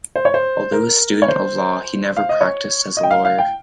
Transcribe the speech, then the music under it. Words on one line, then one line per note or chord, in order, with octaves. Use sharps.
Although a student of law he never practised as a lawyer.
C5
C#5
C5
A#4
C#5
C5
F5
D#5
C#5
D#5
G5
F5
F5
G5